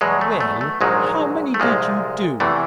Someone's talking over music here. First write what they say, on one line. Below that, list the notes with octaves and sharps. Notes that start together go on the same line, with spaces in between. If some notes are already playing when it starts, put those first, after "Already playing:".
"Well, how many did you do?"
E2 B2 F#3 G#3
A3
A3
A3
A#1 G#2 D#3 F#3 G#3
A3
C2 A#2 F3 G#3
E2 C3 E3 A3